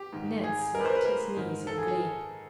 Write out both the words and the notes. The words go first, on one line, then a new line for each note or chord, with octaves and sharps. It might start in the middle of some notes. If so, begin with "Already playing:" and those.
Ned slapped his knees in glee.
Already playing: G4
G#2 D#3
G#4
G#4
A#4
B4
C5
A#4
B4
A#4
G#2 D#3
A4
G#4
G#4